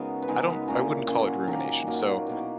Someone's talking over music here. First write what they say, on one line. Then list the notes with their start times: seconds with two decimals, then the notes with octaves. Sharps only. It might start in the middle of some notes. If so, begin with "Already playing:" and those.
I don't I wouldn't call it rumination. So,
Already playing: C#3 G#3 B3 D#4 F#4 A#4
0.22 B4
0.28 C#3 G#3 B3 D#4 A#4
0.48 B4
0.68 A#2 A#3 C#4 E4 A#5
1.08 A#2 A#3 C#4 E4 G#5
1.28 F#5
1.47 D#3 F#3 A#3 A#5
1.87 D#3 F#3 A#3
2.27 B2 A#3 E4